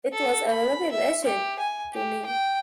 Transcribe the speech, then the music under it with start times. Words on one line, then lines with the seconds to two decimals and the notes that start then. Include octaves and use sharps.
It was a revelation to me.
0.13 A4
0.48 B5
0.92 E5
1.24 G4
1.59 G#5
1.93 G4
2.26 G5